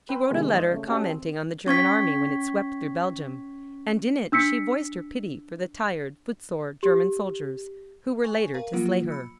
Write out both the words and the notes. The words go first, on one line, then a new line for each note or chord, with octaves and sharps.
She wrote a letter commenting on the German army when it swept through Belgium--and in it she voiced her pity for the tired, footsore German soldiers,--who were later to slay her.
B4 G5 B5 C6 E6
C3 D#3 E3 G#3 B3 C4
F2 G#2 C5 D5 D#5 G6
C#3 A3
C#4 F#4 G4 A4 D#5 A5
C4
C#4 C#6 G#6 B6
D4 E6 B6 C#7
G4
G#5 C#6
A#4 F5 A#5
F3 F#3 A#3 F4 F#5 D7
B5 E6 C#7